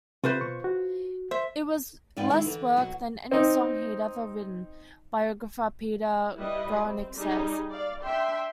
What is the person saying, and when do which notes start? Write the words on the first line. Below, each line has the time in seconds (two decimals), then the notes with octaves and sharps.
"It was less work than any song he'd ever written," biographer Peter Guralnick says.
0.24 C3 F4 B4 C5
0.41 B2 C#6
0.64 F#4
1.31 C5 E5
2.17 G#2 F3 B4 D5 G5
2.31 D#3 G#3 E4
2.46 D3 E3
2.77 B2 F#3 F#4
3.31 C4 D#4
6.37 G3 E4 B4 D#5
6.86 C4
7.16 G3 D#4 G#4
7.71 D5 F5
8.02 D4 E5 G5 C6